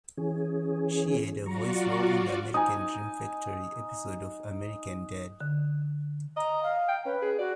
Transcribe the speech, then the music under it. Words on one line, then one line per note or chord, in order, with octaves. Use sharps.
She had a voice role on the "American Dream Factory" episode of "American Dad!".
E3 C#4 G#4
F#3 F4 F#4 D5 A#5 C#6
D#4 G#5 D#6
D3
D#5 A#5
F5
G5
C#4 B4
G#4
F#4 D5